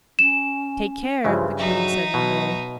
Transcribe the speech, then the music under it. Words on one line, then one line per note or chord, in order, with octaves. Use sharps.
"Take care," the Queen said one day.
C#4 E7
G2 C#3 E3 F3
F#3 D#4 E5
B2 F#3